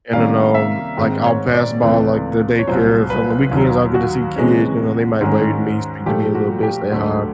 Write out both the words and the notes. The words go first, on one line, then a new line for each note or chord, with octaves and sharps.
and then, um, like, I'll pass by, like, the daycare, if on the weekends I'll get to see kids, you know, they might wave to me, speak to me a little bit, say hi, you
C3 D#3 G3 A#3 C#4 F5
E5
G#2 D#3 G#3 C4
C#5
D5
C#2 C3 E3 A3
C#5
C2 A#2 F#3 C5
B4
D#2 D#3 F#3
F#4
C3 E3 G#3 C#4
G#2 D#3 G#3 C#4
A#2 F3 A3 G4
F#4
G4
D2 D3 F#3 A3